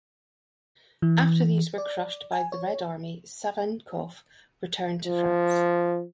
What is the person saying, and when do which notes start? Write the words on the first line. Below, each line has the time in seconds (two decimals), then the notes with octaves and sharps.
After these were crushed by the Red Army, Savinkov returned to France.
1.02 E3
1.78 D5
2.32 G#5
2.52 C#5
5.06 F3